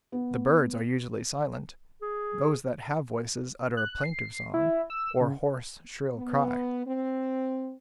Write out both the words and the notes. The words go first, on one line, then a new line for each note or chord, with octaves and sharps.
The birds are usually silent; those that have voices utter a plaintive song, or hoarse, shrill cry.
B3
G#4
F#6
C7
E4
E6
C#3
B3
C4